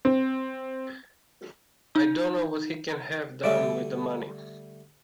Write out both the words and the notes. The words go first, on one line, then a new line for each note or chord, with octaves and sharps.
I don't know what he can have done with the money.
C4
D#4
D3 G3 A3 D5 E5